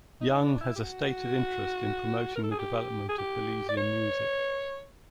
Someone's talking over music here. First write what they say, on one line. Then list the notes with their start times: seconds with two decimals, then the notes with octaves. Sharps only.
Young has a stated interest in promoting the development of Belizean music.
0.21 D#4
0.41 D4
0.61 E4
0.76 G4
0.80 F#4
2.36 A#4
2.43 A4
2.51 G#4
2.59 G4
3.09 G#4
3.18 G4
3.69 D5
3.77 C#5